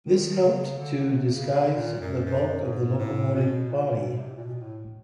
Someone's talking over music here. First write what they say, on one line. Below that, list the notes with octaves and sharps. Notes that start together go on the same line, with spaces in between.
This helped to disguise the bulk of the locomotive body.
D#3
C#3
D3
D3
C3
C#3
C#3
A#2
F#2
F#2
G#2
A2
B2
A#2
A#2
B2
C3
A2
A#2
B2
A2